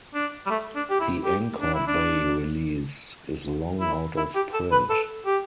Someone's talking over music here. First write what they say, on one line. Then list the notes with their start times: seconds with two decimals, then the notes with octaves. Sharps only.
The Anchor Bay release is long out of print.
0.15 D4
0.46 G3
0.50 A3
0.75 D4
0.90 G4
1.00 E4
1.24 G4
1.61 D4
1.74 E4
1.88 D4
3.80 E4
4.17 E4
4.35 G4
4.54 A4
4.72 B4
4.90 A4
5.26 G4